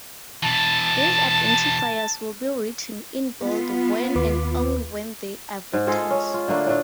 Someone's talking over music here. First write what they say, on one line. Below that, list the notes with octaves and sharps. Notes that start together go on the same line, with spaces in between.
These identifiers will be written in bold when and only when they are vectors.
B2 E3 A5
B3 F4
D#2 B4 D6
G#2
G#3 F4 G#4 A4
C#4
F4
D3 A3 A#3 D4
A2 A3 D4